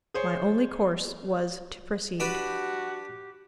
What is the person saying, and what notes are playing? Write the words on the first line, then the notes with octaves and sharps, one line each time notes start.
My only course was to proceed.
G#4 C5 C#5
D4 F#4 G4 B4 B5